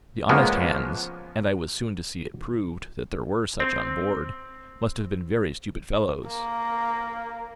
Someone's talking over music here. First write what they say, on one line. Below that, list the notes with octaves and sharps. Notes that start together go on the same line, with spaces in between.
The honest hands--and I was soon to see it proved that there were such on board--must have been very stupid fellows.
F3 G#3 A#3 B3 C#4
C4
A#3